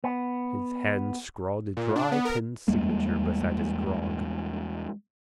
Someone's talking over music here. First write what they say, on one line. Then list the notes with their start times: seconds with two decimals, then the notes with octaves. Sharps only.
His hand scrawled a dry pen signature beside his grog.
0.04 B3
1.77 A#2
1.96 D4
2.12 B3
2.25 A#4
2.68 E2 G3 G#3 A#3